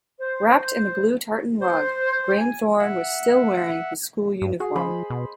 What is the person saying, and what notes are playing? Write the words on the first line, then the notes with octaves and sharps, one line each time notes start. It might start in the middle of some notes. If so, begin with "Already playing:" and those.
Wrapped in a blue tartan rug, Graeme Thorne was still wearing his school uniform.
C5
C5
G#5
E5 F#5
G2
F#4 G#4
F3 C5 D#5 B5
B2